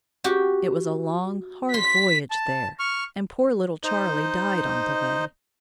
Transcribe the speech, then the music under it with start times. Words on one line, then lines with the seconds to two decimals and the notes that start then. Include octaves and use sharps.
It was a long, hard voyage there, and poor little Charlie died on the way.
0.24 F#4 G4
1.74 C6 B6
2.30 A5
2.79 C#6 F6
3.84 D#4 C5 D#5